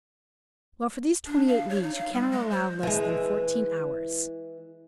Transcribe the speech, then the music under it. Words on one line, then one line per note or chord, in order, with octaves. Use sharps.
"Well; for these twenty-eight leagues you cannot allow less than fourteen hours?"
D4
F5
C#5
D#4
F5
G3
G#3
C5
E3 G#3